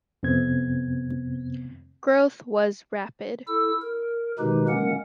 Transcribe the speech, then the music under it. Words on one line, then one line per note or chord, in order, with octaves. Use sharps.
Growth was rapid.
F2 C3 B3 C4 G#6
E4 A4 E6
A#4
B2 D#3 G#3 D#4 G4 B4
G#3 A#3 C#4 A#4 F#5